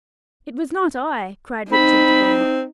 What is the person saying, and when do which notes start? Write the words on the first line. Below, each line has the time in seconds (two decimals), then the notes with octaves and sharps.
"It was not I!" cried Richard Devine.
1.72 C4 D#4 B5